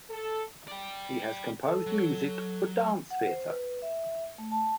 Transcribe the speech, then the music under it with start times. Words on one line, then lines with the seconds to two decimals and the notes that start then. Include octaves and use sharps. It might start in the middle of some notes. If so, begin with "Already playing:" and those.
He has composed music for dance theatre.
0.10 A4
0.68 D5 G5
1.67 A4
1.86 F#3
3.10 F#5
3.26 C5
3.48 B4
3.82 E5
4.38 A3
4.52 A5